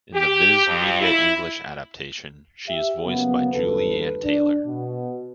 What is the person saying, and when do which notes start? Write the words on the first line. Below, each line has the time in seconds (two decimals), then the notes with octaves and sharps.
In the Viz Media English adaptation, she is voiced by Julie Ann Taylor.
0.14 G4
0.66 F2
1.01 E4
2.68 G4 E5
3.05 C#3 F#3 A#3 B3
3.53 G1 D#2 A4 B4
4.24 D4
4.66 B2